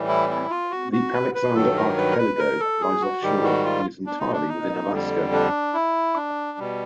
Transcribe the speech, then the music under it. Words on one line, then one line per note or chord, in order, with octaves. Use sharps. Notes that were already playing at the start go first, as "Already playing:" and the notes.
The Alexander Archipelago lies offshore and is entirely within Alaska.
Already playing: A2 E3 G3
E4
E4
F4
F#4
F#4
B4
B4
G2 D#3 F#3 A4
A#4
B4
A#4
B4
A#4
A4
G#4
F#4
G#2 D#3 G3 G4
F#4
F4
D4
D#4
D4
D#4
F2 D3 G3
D4
E4
D4
B2 G3